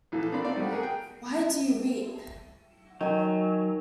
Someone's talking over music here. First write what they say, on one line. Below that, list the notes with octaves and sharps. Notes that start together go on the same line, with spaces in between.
Why do you weep?
A#1 E3 A4
C4 D4 F4 A#4 D5 B5
C4 D#4 D5 F5
G3 A3 C4 F#4
G#4 A#4 F#5
G5
D#3 F#3 G#5